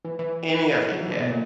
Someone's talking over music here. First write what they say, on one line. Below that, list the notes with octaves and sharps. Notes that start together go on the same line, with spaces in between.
any of it yet,
E3
E3
F#3
E3
D3
B2
A#2